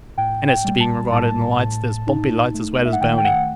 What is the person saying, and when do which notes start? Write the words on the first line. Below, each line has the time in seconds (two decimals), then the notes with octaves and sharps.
And as to being regarded in lights, there's bumpey lights as well as bony.
0.17 A2 G5
0.48 G5
0.65 G3
0.80 A5
1.11 A2 A5
1.59 A2
2.07 D#4
2.54 A3
2.85 E5
2.93 F#5
3.01 D#3 G5
3.18 G5
3.24 F#5